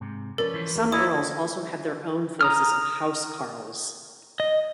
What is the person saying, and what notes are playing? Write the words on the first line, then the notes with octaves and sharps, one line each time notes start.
Some earls also had their own forces of housecarls.
G#2 C3
F3 C#4 A#4 B4 D5
E3 E4 C5
D#2 A#3
E4 A4 D#5 A#5 D#6
A#5 D#6 F6
D#5